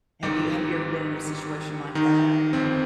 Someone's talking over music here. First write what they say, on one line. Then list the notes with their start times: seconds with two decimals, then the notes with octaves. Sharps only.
Have you have you ever been in a situation like that?
0.22 G#1 G#2 D#3 G3 G4
1.95 D#3 D#4
2.53 G1 F2 D#3 C4